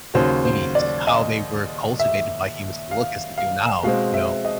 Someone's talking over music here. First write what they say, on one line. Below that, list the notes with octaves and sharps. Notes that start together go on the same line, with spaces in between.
and zucchinis, how they were cultivated by humans to look as they do now, you know?
D#2 C#3 F#3 C5
C5
D5
D#5
E5
F5
F5
B2 G#3 C4 F5
E5
D#5